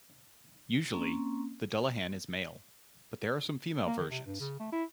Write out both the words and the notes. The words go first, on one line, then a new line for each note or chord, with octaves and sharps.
Usually, the Dullahan is male, but there are some female versions.
A#3 C4 C#4
A#3
D#3
C3
G2
C#3
A3
E4